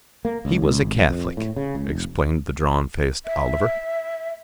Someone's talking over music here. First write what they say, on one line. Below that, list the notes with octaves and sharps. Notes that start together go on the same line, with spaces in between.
"He was a Catholic," explained the drawn-faced Oliver.
A#3
C#2
C#2
G#1
F2
A2
C#3
C#2
F1
E5